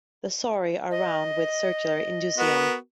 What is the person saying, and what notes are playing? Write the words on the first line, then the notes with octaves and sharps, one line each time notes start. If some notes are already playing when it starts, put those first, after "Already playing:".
The sori are round, with a circular indusium.
D#5
B3 F#4 A#4